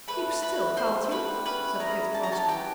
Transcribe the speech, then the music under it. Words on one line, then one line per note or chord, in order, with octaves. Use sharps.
"Keep still, can't you?" said Kit crossly.
A3 B4 B5
D4
F#4 B4 B5
A3
G3 C5 C6
B3
D4 B4 B5
G3
C#4 B4 B5
E4
G#4 A#4 A#5
C#4
D4 A5
A#5
F#4 A4 A5
G4 B4 G5